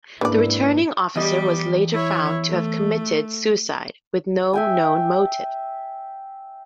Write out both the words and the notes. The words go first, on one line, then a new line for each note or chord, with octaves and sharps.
The Returning Officer was later found to have committed suicide with no known motive.
G#2 C#3 A#3 D4 E4 B4 D5
E2 G3 G4 D#5
E4 C#5
A3
E5 G5 G#5